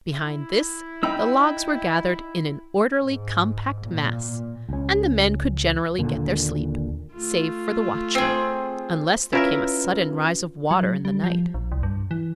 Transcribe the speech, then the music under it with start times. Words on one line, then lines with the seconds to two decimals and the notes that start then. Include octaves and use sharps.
Behind this the logs were gathered in an orderly, compact mass and the men could generally get their sleep, save for the watchman; unless there came a sudden rise of water in the night.
0.13 E4
1.03 D#4 G5 B5 E6
3.01 G#2
3.84 A#2
4.69 C#2 C#4
5.99 D#2 A#2 D3 A#3
7.14 A3 F4
8.15 C4 G#4
9.33 C#4 E4 F4 A#4 B4 E5
10.71 F#3
11.05 G3
11.24 F3
11.54 A#1
11.72 C2
11.83 G2
12.11 E3